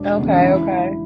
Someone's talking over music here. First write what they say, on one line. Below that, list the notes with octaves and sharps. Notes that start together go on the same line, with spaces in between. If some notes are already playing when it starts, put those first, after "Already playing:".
Okay, okay.
Already playing: E1 D4
E2 C#3
C#4
D4
E4